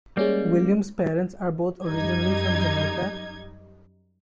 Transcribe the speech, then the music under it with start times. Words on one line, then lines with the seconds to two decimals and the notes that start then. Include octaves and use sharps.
Williams's parents are both originally from Jamaica.
0.17 G3 G#3 A#3 C#4 D5
1.85 F#2 G3 D#4 G#6